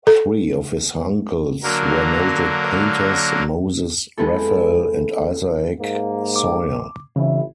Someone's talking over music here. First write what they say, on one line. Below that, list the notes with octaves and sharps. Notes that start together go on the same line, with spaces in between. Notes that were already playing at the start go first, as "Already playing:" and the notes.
Three of his uncles were noted painters, Moses, Raphael, and Isaac Soyer.
A4
D3 F#3 A#3 A#4
G#3 B3 C4 E4 A4
G#2 A#3
D6
G#1 C#3 E3 E4